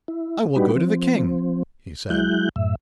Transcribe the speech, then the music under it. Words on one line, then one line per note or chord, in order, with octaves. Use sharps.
"I will go to the king," he said.
E4
G3 D4 D#4 F#4 G4 B4
F3 C4
F#3 G#3 E4 F#6 G6
F#2 A2 E5